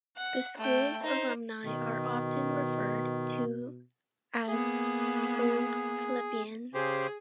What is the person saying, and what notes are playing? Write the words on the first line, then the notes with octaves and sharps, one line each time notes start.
The school's alumni are often referred to as "Old Phillipians".
F#5
A3 G5
D#4 C5
B2 D#3
A#3 B3 G#4
C#3 G4 G#4 C5